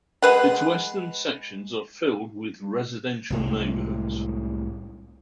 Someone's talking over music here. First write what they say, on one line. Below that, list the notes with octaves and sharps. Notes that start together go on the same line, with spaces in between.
Its western sections are filled with residential neighborhoods.
G#3 B4 F#5
C2 A2 G#3